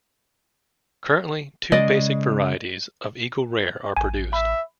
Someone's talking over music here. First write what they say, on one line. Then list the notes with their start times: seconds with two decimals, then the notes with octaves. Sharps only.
Currently, two basic varieties of Eagle Rare are produced.
1.72 C#3 G#3 D5 D#5
3.97 A1 G#5
4.33 E5 B5